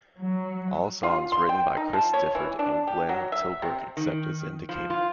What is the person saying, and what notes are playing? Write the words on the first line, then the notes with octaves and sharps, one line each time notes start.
All songs written by Chris Difford and Glenn Tilbrook except as indicated.
F#3
F4
C6
G5
D#4
F3
C#5
E3
D4
G4
F#3
E5
C3
D#3
F3
F4